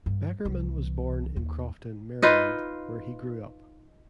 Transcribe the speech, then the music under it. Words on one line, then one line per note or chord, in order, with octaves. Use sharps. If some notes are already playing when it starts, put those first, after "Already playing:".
Beckerman was born in Crofton, Maryland, where he grew up.
G2
C2 E3
D#2
D#4 F4 B4